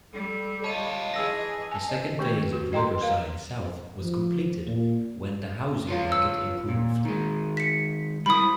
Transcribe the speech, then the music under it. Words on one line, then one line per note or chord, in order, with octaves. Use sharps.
The second phase of Riverside South was completed when the housing market improved.
G3 A4
F4 C#5 D#5 A5 D#7
E3 G#4 E6 A#6
G#5 A5
G4 D#5
D#3 A3 G4 B4
F#4
B4 D#5 G5 A#5 C6
A#4 F5
F3
A#2
F4 C#5 F5
E6
A#2
D#3 G#3
B6 C#7
G3 E4 B5 D#6